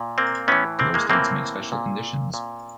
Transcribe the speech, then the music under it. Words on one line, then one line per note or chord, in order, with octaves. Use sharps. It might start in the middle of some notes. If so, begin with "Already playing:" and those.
Other states make special conditions.
Already playing: A#2
A#3 C4
A2 E3 B3 C#4
A#3 C4
G#3 A#3
A2 E3 A#3 C4
A#2
A#2